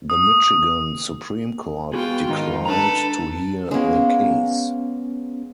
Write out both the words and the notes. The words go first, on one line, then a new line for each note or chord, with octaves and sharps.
The Michigan Supreme Court declined to hear the case.
D#6
B3 F4 F#4 G#4 G5
G#2 D#3 D#4 F4
D4 A4 B4 A#5
G#3 A#3 B3 C#4